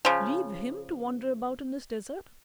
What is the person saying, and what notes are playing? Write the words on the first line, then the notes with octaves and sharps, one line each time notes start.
Leave him to wander about in this desert!
C#3 F3